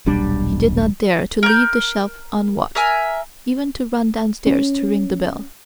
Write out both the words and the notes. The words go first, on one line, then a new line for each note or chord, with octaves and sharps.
He did not dare to leave the shelf unwatched, even to run downstairs to ring the bell.
D#1 B1 G3 D4
A#4 G6
A#4 E5 G#5
C#4